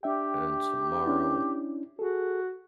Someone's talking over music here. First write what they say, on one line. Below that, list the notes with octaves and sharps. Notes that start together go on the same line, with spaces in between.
"And tomorrow,
D4 G4 E5 G5
C#4 D4 E4
F#4 G#4 A4